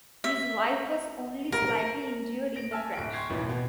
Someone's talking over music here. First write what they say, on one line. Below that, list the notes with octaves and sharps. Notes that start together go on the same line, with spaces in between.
His wife was only slightly injured in the crash.
E5
A#4
A#6 D7
E5 G#5 A5 E6 F6
D1 D7
G5 C6 C#6 G#6 C7
A1 D#2 B2 E3
B2 B3